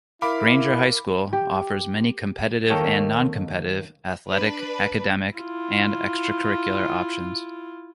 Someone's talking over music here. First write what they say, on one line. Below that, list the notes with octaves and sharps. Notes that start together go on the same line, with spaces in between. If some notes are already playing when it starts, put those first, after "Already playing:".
Granger High School offers many competitive and non-competitive athletic, academic, and extra-curricular options.
E4 A#4 F5 B5 D6
G4
D#2 D#3 A#3 A4 C#5 G5
D4 B4
E4 F4